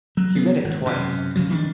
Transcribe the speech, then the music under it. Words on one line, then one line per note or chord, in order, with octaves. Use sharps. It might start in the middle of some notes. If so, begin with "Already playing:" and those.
He read it twice.
F#3
B3
G#1
F#2 C3
C#3 F3 F#3
D#3 F3 C#4 D4